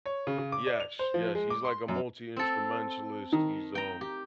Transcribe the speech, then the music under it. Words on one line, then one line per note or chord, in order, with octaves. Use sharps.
Yes, yes, he's like a multi-instrumentalist, he's, um
C#5
C#3
C#3
D6
D5
F7
C5
F3
G#3
D6
C6
F#2
C4 A4
D#3
G5 A#5
G4